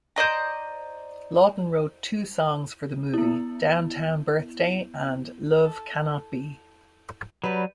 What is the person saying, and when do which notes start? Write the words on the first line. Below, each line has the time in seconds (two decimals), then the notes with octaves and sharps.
Lawton wrote two songs for the movie, "Downtown Birthday" and "Love Cannot Be".
0.16 C5 D5 D#5 A#5
3.14 B3 E4
5.64 A4
7.44 F#3 G3 B4